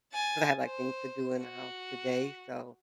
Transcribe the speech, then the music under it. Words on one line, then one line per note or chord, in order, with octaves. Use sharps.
cause I have, like, things to do in the house today, so
G#5 A6
C5
F#4